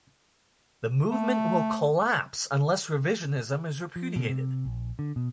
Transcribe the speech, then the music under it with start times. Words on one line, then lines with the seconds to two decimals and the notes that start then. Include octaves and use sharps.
The movement will collapse unless Revisionism is repudiated.
1.11 A3
3.96 F3
4.16 B2
4.29 C3
4.65 A#1
4.99 D3
5.16 B2